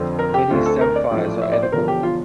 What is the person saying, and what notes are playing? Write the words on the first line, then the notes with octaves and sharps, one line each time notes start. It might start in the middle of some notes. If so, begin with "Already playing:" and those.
Many samphires are edible.
Already playing: F2 D3 F3 C4
A#4
G4
D2 D3 A3 C4 F4
A4
A#4
D5
A1 A2 F3 A3
E5
D5
C5
E1 E2 D3 F3 A#4
G4
F4